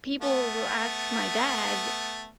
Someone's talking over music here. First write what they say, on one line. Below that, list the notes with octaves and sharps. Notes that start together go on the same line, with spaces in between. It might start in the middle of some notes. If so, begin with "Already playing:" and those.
people will ask my dad
A3 B3